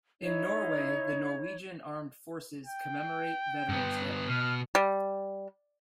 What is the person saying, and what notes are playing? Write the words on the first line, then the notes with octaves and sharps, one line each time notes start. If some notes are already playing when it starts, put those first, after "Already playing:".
In Norway the Norwegian Armed Forces commemorate Veteran's Day.
D#4 E4 C#5
G5
G2 B3
B2 F6
G3